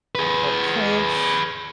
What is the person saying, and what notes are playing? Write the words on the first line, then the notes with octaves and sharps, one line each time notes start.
or Prince,
G#4 B4